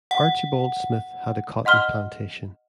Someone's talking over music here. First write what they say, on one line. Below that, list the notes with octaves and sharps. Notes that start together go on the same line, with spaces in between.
Archibald Smith had a cotton plantation.
F#5
D#5 F#5 C6 F6 G7